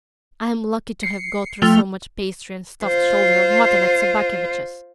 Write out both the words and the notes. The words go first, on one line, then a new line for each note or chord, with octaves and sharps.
"I am lucky to have got through so much pastry and stuffed shoulder of mutton at Sobakevitch's!"
C7 C#7
F3 A3 G5 F6 F7 G7
F4 C5